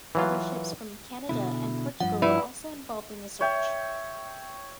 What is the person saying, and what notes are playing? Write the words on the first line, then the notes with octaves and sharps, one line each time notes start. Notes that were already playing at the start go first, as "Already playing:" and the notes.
Other ships from Canada and Portugal were also involved in the search.
E3 F#3 F4
B2 D3 E4
G2 F3 F#5
E4 B4 D5
C#5 E5 G5